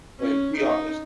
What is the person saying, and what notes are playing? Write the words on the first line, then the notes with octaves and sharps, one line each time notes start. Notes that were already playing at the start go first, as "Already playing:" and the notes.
Like, be honest.
C#4
D#4